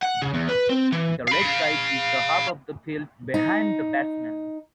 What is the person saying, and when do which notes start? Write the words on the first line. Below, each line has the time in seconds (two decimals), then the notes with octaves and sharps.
The leg side is the half of the field "behind" the batsman.
0.03 F#5
0.22 C#3
0.34 E2
0.49 B4
0.69 C4
0.92 E3
1.27 F5 B5
3.34 D#4